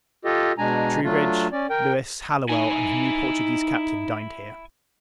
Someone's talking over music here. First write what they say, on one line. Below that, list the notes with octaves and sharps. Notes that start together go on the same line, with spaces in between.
Troubridge, Louis, Hallowell, and the new Portuguese Captain, dined here.
F4 G4 A4 D#5
B2 G#3 D4 G#5 A#5
F#3 A3 D4 F4
C#4 D5
A#4 G5
D#4 E4 G#5